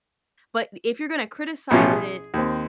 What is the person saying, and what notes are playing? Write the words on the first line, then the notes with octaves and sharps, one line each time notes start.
but if you're gonna criticize it,
A1 B2 F3 C#4 G4
G#4
D#2 C4